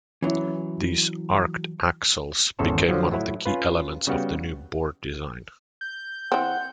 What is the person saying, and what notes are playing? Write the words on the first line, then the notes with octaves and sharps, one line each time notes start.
These "arced axles" became one of the key elements of the new board design.
E3 F#3 C#4 E4
G#1 E2 C#3 A4 C5 A#5
D3 F3 F#3
A2 F#3 E4
C#4 F4 B4
C#3 G3 B3 F#4 F5 G5
G6
E3 C4 F#5